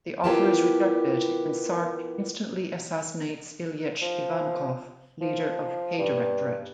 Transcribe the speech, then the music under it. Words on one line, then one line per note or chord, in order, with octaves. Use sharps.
The offer is rejected, and Sark instantly assassinates Ilyich Ivankov, leader of K-Directorate.
B3 E4 F4 G4 A#4 A5
F3
F3
G2